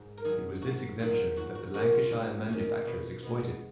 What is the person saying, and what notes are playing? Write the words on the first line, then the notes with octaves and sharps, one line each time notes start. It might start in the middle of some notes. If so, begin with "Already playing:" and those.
It was this exemption that the Lancashire manufacturers exploited.
Already playing: G#2
A#4
D#3 F#3 G#4
G#2 F#4
D#3 F#3 F4
G#2 F#4
F#4
D#3 A#3 C#4 F#4
F4
G#2
D#3 A#3 C#4
B2
G#3 B3